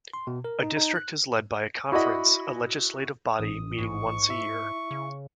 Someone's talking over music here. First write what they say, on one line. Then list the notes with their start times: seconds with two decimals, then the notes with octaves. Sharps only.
A district is led by a conference, a legislative body meeting once a year.
0.13 C6
0.27 B2
0.44 A#4
0.63 D#4
0.77 D#4
0.96 F#6
1.92 E4 F#4 D5 D#5 B5
3.38 A1 D#6
3.78 G#2 C#6
4.29 E4 E5
4.91 C#3